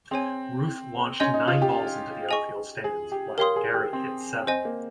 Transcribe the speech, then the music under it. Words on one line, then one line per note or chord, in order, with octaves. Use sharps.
Ruth launched nine balls into the outfield stands, while Gehrig hit seven.
C4 G#4 C#5 G#5
C#4 D#5 G#5 C6 G6
D#4
F4
G4
G#4 D#5 G#5 C#6
G#4
G4
G4 A#4 C#5 F5 C6 D#6
G#4
G4
C4
C4 C5 D#5 G#5
A#3